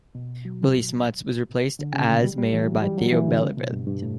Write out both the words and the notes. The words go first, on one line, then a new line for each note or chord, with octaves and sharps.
Willie Smuts was replaced as Mayor by Theo Beyleveldt.
B2
F#3
D3
C#3
A2
G3
G3
E3
F#3
G3
F#3
E3
D3
C#3
B2
G2
G2
A2